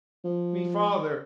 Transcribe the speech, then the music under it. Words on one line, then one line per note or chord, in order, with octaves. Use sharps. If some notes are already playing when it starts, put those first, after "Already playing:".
Me father!
F3